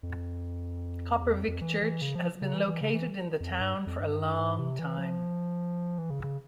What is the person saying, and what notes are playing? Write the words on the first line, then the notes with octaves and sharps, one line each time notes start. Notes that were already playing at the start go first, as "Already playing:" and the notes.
Kopervik Church has been located in the town for a long time.
F2
E2
F2
F2
E3
E3
C#3
F3
C#3
E3
E3
C#3
E3
F2
G2
F2
G2
G#2
C3
E3
F3
E3
C#3
C#3